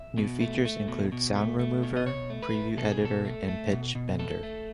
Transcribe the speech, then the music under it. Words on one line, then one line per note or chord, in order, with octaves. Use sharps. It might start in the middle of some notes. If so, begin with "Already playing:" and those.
New features include sound remover, preview editor and pitch bender.
Already playing: E5
B2
A3
A3
B2
B2
A3
A3
B2
D#5
B2 C#5
A3
B4
A3
B2 A4
G#4
B2 A4
A3
A3
B2
B2
A3 A4
A3